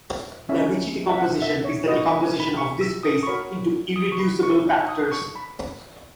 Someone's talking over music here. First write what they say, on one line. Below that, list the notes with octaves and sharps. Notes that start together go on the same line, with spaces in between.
The Ricci decomposition is the decomposition of this space into irreducible factors.
C#4 E4 A#4 C#5 E5
E5
F#5
E5
C#5
F#4 B4 D#5
E5
G#5
B5
C#6
E6
D#6
C#6
F#4 A#4 C#5 B5
D#6
C#6
B5
C#6
D#4 F#4 C#5
E6
D#6
C#6
B5